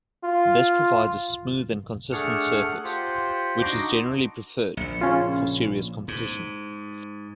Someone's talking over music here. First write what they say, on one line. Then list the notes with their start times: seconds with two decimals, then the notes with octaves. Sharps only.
This provides a smooth and consistent surface, which is generally preferred for serious competition.
0.24 F4
2.12 A3 D4 G#4 F#5 F6
2.67 F#5
2.84 F4 G4 C5 F#5
3.61 D4 D#4 F#4 D#5 C6 D6
4.77 A#1 C#7
5.01 C#3 C#4 F4
6.08 G#2